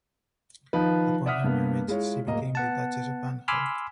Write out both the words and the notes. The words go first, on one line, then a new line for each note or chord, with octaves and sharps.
Upon her marriage she became the Duchess of Anhalt.
D#3 F3 D#4 F4 B4
D5 E5 F#5 D#6 F6 B6
G2 A#3 B3
G#3 E4 F4 C#5
D1 A#3 D#5 A#5
B3 F#5 A5
G#5 B5 C6 D6 E6 F6